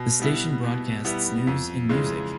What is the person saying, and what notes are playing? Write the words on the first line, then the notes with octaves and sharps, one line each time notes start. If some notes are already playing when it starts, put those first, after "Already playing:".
The station broadcasts news and music.
Already playing: B2
G3 B3 E4
B2
G3 B3 E4
F2
C#3 E3 G#3